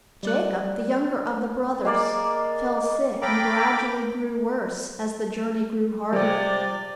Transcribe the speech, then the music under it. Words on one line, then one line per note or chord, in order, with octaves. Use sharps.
Jacob, the younger of the brothers, fell sick and gradually grew worse as the journey grew harder.
G3 D5 F#6
G#3 A#3 D5
A4 F5 G5 A#5 B5 D6
C3 F3 G3 D5 G5